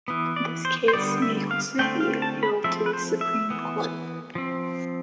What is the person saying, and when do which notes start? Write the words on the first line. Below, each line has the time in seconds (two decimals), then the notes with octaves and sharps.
This case may also be appealed to the Supreme Court.
0.08 E3 B3
0.36 D5
0.65 C5
0.88 C5
0.93 D3 G3 B3 D5
1.22 E5
1.51 F5
1.79 D3 A3 C4 G5
2.00 F5
2.22 A5
2.43 B5
2.64 F3 A3 C4 E5
2.86 B4
2.93 C5
3.21 E5
3.50 E3 B3
4.35 F3 C4